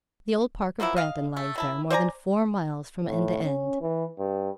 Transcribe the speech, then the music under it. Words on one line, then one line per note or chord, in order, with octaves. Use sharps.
The old park of Brandon lies there, more than four miles from end to end.
F3 A#3 B3 E4
D#5 F5
A3
D#3 E4 A5
C5 D5 G#5 A#5
A2
C#4
E3
G2